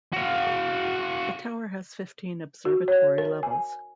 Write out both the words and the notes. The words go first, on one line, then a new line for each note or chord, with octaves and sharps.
The tower has fifteen observatory levels.
F#4 F5
F#4
C#5
A#4
G#5